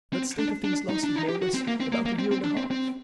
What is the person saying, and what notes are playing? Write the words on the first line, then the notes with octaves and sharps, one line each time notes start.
That state of things lasted, more or less, about a year and a half.
C4
D4
D4
D#4
D4
D#4
G4
F#4
C4
A#3
C4
A#3
A#3
C4
C4
D4
C4
C4